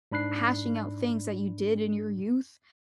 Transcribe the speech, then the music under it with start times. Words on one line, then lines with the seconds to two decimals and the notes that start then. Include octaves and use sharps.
hashing out things that you did in your youth,
0.12 G#2 D4 B5 F#6 C7